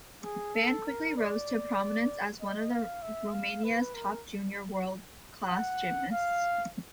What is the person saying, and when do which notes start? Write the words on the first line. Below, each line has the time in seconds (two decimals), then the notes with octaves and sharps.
Ban quickly rose to prominence as one of Romania's top junior world-class gymnasts.
0.24 G#4
0.55 A4
0.86 A#4
1.17 D5
2.40 D#5
2.71 F5
3.02 E5
3.33 F5
3.64 B4
3.95 A#4
5.50 F#5
6.12 F5